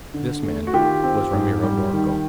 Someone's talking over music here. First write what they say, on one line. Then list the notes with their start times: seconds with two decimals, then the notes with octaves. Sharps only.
This man was Ramiro d'Orco.
0.14 D3
0.43 A3
0.67 F#4
0.74 D#3 F4 G4
1.03 C4
1.33 G#2
1.63 G3
1.93 D#3